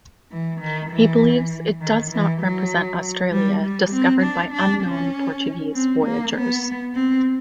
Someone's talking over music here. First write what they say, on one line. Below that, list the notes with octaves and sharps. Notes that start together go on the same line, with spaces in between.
He believes it does not represent Australia discovered by unknown Portuguese voyagers.
E3
D#3
E3
D#3
E3
F#3
G3
G3
C4
D4
D4
C#4
C4
A#3
B3
C4